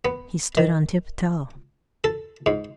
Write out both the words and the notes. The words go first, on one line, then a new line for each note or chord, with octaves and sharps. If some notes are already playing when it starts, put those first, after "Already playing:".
He stood on tiptoe.
B3
D#3
A4
G#2